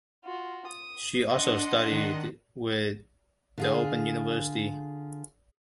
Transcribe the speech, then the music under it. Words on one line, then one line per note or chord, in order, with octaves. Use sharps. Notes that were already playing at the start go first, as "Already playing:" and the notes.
She also studied with the Open University.
F4 F#4
D#6
D4 D#5 F#5 C6
D#3
D3 F4 G#4